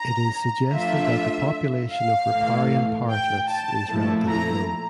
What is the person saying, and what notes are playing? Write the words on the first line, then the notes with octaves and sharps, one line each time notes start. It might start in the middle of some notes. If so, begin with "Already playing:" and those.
It is suggested that the population of riparian parrotlets is relatively low.
Already playing: A#5
F3 A3 D4 F4 E5
F5
A2 E3 A3
G5
A5
A#2 F3 A3 E4
A#5